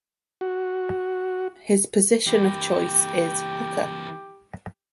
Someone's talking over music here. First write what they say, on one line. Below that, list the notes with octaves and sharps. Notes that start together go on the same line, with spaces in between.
His position of choice is Hooker.
F#4
E3 A#3 G4